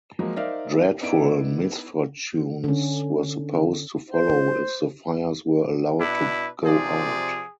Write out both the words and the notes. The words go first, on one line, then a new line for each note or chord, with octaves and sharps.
Dreadful misfortunes were supposed to follow if the fires were allowed to go out.
F3 F#3 G#3 A#3
D#4 A#4 C5 D5 E5 F5
B3 D#4 E4 D5 D7
D3 C#4
C5
B2 D4 E4 B4
C3 F3 G#4 D5